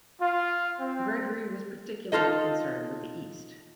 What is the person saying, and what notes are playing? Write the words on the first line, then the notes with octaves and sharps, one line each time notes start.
Gregory was particularly concerned with the East.
F4
C4
D#4 F4 A4 D#5